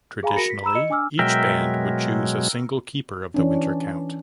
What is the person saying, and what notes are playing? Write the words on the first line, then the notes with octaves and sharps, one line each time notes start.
Traditionally each band would choose a single keeper of the winter count.
G#4 F5 G#5 A#5 B5
F#4 A#4 A#6 C#7
B6
A#5 B5 E6 E7
D#5 C#7
D4 G#5 D6 E6 F6
B2 F#3 G#3 A#4 E5 G5
E3 C#4 D4